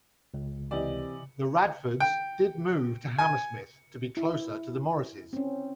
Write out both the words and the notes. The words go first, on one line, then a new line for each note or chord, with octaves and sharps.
The Radfords did move to Hammersmith, to be closer to the Morrises.
C#2
C3 E3 G4 D5 D#5
G5
G#5
E4
C4 C#4